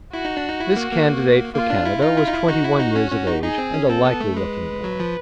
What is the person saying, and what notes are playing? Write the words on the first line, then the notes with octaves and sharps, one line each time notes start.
This candidate for Canada was twenty-one years of age, and a likely-looking boy.
E4 F#4
D#4
D4
D#4
E4
A#3
A#3
A#3 F4
D4
E4
D#4 F4
E4
D#4
E4
D#4 F#4
E4
D#4
C#4
C#4
D#4
D#4 G#4
C4
C#4
C4 A4
B3
A3
G#3 B4
F#3
F3